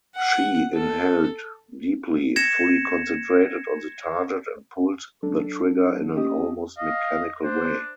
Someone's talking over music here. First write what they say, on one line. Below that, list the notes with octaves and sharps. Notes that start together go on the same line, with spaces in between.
She inhaled deeply, fully concentrated on the target and pulled the trigger in an almost mechanical way.
F#5
A4
G#6 A#6 C#7 E7
F#3 D4 A4
C#4 G4 D#5 D#6
D#5 F5
D4 C5